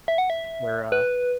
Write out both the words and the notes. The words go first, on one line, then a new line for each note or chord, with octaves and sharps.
where, uh
E5
F#5
E5
B4